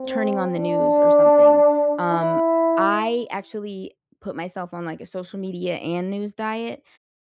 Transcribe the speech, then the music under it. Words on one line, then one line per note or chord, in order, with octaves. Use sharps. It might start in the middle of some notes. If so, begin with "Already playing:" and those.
turning on the news or something, um, I actually put myself on, like, a social media and news diet,
Already playing: C4
D4
E4